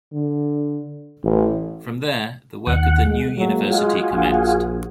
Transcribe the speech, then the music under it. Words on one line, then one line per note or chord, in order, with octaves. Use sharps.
From there, the work of the new university commenced.
D3
A1
D#2 F#5
G#3
F#3 G#3 A#3
G#3 F4 F#4 G#4
A#1